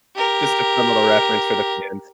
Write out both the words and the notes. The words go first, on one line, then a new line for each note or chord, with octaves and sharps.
Just a fun little reference for the fans.
G4 A#4